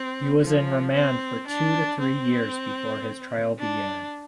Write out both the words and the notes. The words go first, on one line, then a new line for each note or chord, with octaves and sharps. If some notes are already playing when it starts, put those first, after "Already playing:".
He was in remand for two to three years before his trial began.
Already playing: C4
F3
C4
D4
C4
D4